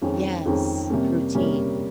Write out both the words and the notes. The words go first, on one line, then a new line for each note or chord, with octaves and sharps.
Yes. Routine.
F2 D#3 G#3 C#4
F2 D#3 G#3 C#4
C3 G3 A#3 C#4
C3 G3 A#3 C#4